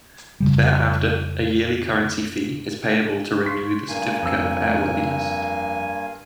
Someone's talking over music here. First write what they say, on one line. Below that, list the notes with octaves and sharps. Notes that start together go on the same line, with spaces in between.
Thereafter, a yearly currency fee is payable to renew the Certificate of Airworthiness.
F2 C#3 G3
C6 C#6 B6
G2 A#3 G#5
F2 E6